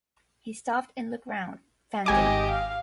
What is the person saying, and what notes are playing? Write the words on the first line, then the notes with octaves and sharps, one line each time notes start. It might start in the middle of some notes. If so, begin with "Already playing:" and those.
He stopped, and looked round, panting.
G#1 G4 D#5 G#5 D6
F5